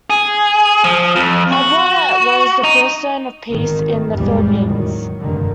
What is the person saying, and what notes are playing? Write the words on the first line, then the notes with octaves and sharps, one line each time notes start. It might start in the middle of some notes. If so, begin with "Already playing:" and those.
Haba was the first Zone of Peace in the Philippines.
G#4
F3
F2
F#4
D#4
G#1 D#3
F1 B1 E2 A2 G3 G#3
D#3 F#3
F1 G2 D3 D#3